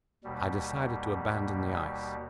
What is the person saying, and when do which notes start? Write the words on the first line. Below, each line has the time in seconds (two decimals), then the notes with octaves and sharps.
I decided to abandon the ice.
0.24 D#2 B2 G3